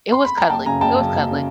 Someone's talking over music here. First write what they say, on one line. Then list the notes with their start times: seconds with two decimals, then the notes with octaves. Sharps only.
It was cuddly, it was cuddly.
0.12 C6
0.25 B5
0.37 A#5
0.49 F#1 G5 A5
0.66 F#2 C#3 G#5 A#5
0.81 F#1 G5 A5
0.97 F#2 C#3
1.13 F#1
1.31 C#3